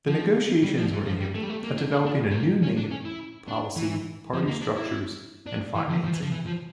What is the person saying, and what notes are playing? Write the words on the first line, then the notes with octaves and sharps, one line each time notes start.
The negotiations were aimed at developing a new name, policy, party structures and financing.
F3
G3
F3
E3
F3
G3
A3
G3
A3
A#3
D4
D4
D4
A3
A#3
C#4
D4
C#4
E4
D4
E3
F3
A#3
D4
E4
D4
E3
F3
F3
E3
F3
E3
F3